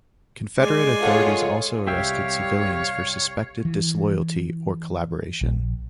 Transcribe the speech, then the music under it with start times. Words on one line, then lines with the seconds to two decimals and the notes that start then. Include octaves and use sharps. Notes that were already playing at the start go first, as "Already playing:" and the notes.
Confederate authorities also arrested civilians for suspected disloyalty or collaboration.
0.59 G#3 D5 G#5 C6
1.02 F4 G#4 A4 C#5 F5 F#5
1.87 C2 G3 G4 C#5 E5 F5 G5
3.65 E3
5.41 A#1